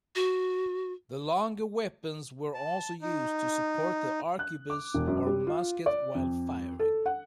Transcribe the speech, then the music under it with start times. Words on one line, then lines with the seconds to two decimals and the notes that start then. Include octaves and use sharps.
The longer weapons were also used to support the arquebus or musket while firing.
0.15 F#4
2.54 A5
3.02 D#4
4.39 F#6
4.70 D6
4.94 E1
5.07 F#2
5.27 G3
5.47 F4
5.86 D5
6.15 F2
6.79 A4
7.06 F#5